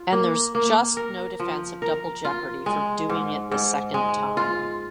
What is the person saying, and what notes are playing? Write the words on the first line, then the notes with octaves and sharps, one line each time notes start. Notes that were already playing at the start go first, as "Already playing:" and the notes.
And there's just no defense of double jeopardy for doing it the second time.
Already playing: F4
A#3
A#3
A#4
F3
A#4
F4
G#3
G#2
G#2
G#3
F4